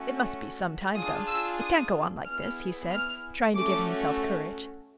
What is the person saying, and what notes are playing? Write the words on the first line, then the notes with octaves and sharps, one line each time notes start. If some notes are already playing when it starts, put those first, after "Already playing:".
"It must be some time, though: it can't go on like this," he said, trying to give himself courage.
Already playing: A3 C#4 F#4 A4
D4 F4 G#4 D#6
E6
D#6
B3 E4 G#4 F6
F6
A3 C#4 F#4 D6